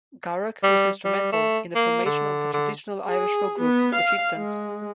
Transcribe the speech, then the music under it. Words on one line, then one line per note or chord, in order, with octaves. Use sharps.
Garech was instrumental in the formation of the traditional Irish folk group, The Chieftains.
G3
G3
A3
A#3
D3
D3
G#4
B3
F5
G#3